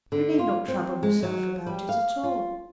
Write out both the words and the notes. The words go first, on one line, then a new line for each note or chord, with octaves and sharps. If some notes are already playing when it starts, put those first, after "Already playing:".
You need not trouble yourself about it at all.
D3
F4
C4
G#3
F#3
G3
F5
F4